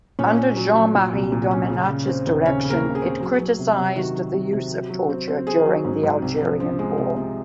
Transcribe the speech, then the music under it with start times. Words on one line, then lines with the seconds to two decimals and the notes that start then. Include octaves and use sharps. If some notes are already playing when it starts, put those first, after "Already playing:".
Under Jean-Marie Domenach's direction, it criticized the use of torture during the Algerian War.
0.19 A#2 C#4 C#5
0.37 C#4
0.57 F#3
0.75 F#3
0.95 A#2
1.13 C2
1.32 A#2
1.51 C#4
1.69 C#3
1.89 C#3
2.07 C4
2.27 D#2
2.45 C#3 C#4 C#5
2.64 C#3
2.70 A#3 A#4
2.84 C#3
2.95 G#4
3.02 C4
3.21 F#3
3.40 F#3
3.59 C3
3.78 C3
3.96 D#3 F#4
4.15 F#3
4.34 C3
4.53 C3
4.72 F#3
4.90 F#3
5.10 C4
5.28 C4
5.47 C4 G#4
5.66 F#3
5.85 G#2
6.03 G#2
6.22 C2
6.41 F3
6.60 F3
6.79 G#3
6.98 C3
7.17 C3